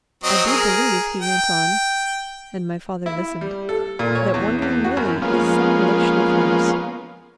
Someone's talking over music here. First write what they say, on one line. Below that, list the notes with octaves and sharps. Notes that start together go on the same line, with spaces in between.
I do believe," he went on, and my father listened, "that Wandering Willie is some relation of hers.
F#3 C4 D#5
G#4 A#4
G5
E4
G3
A4
A#2
C#5
E2
E2
F#4
F#2
F3 G#3 A#3 B3 C#4 F4